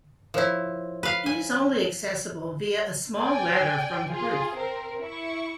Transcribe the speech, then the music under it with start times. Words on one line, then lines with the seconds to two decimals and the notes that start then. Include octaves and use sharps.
It is only accessible via a small ladder from the roof.
0.34 F3 E4 A#4 C5 C#5
1.03 B4 F5
1.26 G#5
3.18 D5 G5 G#5
4.08 F4 G#4
4.53 C4 A#4
5.01 E4 C#6